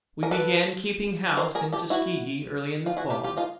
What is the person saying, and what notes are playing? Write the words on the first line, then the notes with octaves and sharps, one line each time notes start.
We began keeping house in Tuskegee early in the fall.
A#4
A4 B4
A#4 C5
G#4 A#4
G4 A4
E4 F#4
F4
E4 F#4
F4 G4
F4 G4
D#4 F4